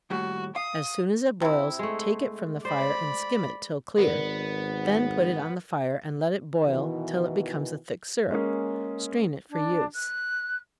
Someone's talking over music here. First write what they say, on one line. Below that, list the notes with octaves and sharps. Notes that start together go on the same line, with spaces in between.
As soon as it boils, take it from the fire, and skim it till clear--then put it on the fire, and let it boil till it becomes a thick syrup--strain it for use.
D#2 A2 G3 F#4
F5 D#6
C3 E4
G#3 A3
C5 D5 B5
G#1 B3 A#4 B4 D5
B2 D#3 E3
G#3 A#3 C#4 G#4
D4
F#6